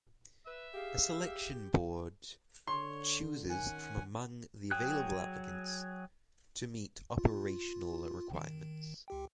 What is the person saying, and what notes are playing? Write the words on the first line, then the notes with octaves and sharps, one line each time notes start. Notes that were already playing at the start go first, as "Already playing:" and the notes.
A selection board chooses from among the available applicants to meet operational requirements.
B4 E5 E6
G4 G#4 F5
D3 C#5 C6
D#3 C#4 F#5 G#5
F#3 G#4 G5 F#6
F4
D#3
C#2 G4 G5